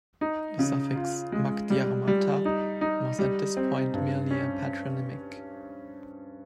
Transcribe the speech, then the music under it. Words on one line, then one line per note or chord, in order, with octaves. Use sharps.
The suffix "mac Diarmata" was at this point merely a Patronymic.
D#4
C#3
F4
G#3
G3
G3
D#4
D#4
G3
C4
G2
C#4